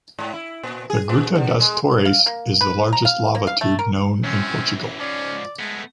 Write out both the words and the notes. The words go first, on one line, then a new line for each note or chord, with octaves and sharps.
The Gruta das Torres is the largest lava tube known in Portugal.
G#2
E4
A#2
G#4
A#2
D3
G#3
F5
A#3
B4
A#5
F5
A#3
F5
A3
A#4
F#2 E3 C4 C#4
G#2 F3 C#4 D5
G#3 A3 B3